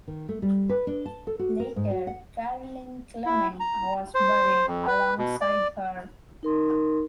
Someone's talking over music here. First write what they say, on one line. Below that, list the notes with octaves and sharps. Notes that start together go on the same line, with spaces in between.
Later, Caroline Clement was buried alongside her.
D#3
A3
G3
B4
D4
A5
A4
F#4
A#4
G#2
F#4
F#5
E4
A#5
C5
F2
B4
B2
D5
D#4 A#4 C6